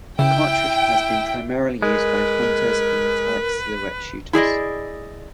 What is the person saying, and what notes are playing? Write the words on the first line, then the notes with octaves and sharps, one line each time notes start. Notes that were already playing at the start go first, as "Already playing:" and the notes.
The cartridge has been primarily used by hunters and metallic silhouette shooters.
C#3 E4 G5
G#3 A#4 B4
E4 G#4 D5 D#5